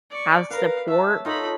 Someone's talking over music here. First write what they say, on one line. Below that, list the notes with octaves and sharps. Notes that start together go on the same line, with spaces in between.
have support,
D5 C#6
A#4 B4 F5
C#5 E5 A5
D#4 F4 A4 C#5 B5